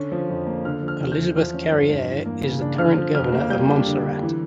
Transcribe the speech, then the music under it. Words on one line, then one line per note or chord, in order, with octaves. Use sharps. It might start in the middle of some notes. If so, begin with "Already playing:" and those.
Elizabeth Carriere is the current Governor of Montserrat.
Already playing: D3 C#4
F3
F2
A#3
D3 F6
F3
F6
E2
G6
E2
F3 F6
C#4
G2
G2
E3
A#3
C#3
D4
D3 F6
F3
F2 F6
A#3
G3 G6
D4
D3
D3
E3